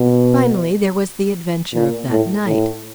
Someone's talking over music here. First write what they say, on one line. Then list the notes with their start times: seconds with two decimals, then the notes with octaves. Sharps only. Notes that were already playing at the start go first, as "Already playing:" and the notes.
Finally, there was the adventure of that night.
Already playing: B2
1.73 A#2
2.09 A2
2.46 A2